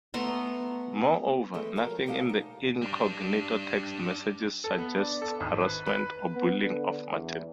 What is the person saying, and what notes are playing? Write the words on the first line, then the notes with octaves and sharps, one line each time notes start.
Moreover, nothing in the Incognito text messages suggests harassment or bullying of Martin.
A3 B3 A#5 C6
E3 G#3 A3 C4
F3 F#3 C4 A#4
D2 G#3 G4 D5 F5 A5
D#4
G3 D4
A4
B3
D4
A4
G#1
B4
B4
B3
D3
E2